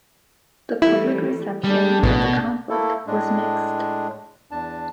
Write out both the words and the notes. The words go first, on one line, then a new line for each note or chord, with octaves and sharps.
The public reception of the conflict was mixed.
E3 G3 A3 E4
G3 A3 D4 G#4
A1 B2
A3 A#3 E4 A4
A2 G#3 D4
E2 D4 A5